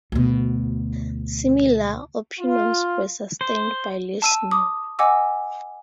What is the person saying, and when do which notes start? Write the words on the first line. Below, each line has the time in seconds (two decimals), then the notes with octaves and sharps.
Similar opinions were sustained by Lisseanu.
0.12 D2 B2
2.40 F4
3.41 C5
4.22 A5 E6 D#7
4.51 D6 D#6
4.99 D#5 F#5 G#5 D6 E6